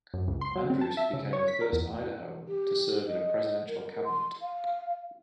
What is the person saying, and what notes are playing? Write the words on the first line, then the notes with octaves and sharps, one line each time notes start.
Andrus became the first Idahoan to serve in a Presidential Cabinet.
F#2
C#2
C6
F#3
C4
A5
E5
C#3
C#5
B6
A#4
E2
G4
D#5
A#4
C6
F5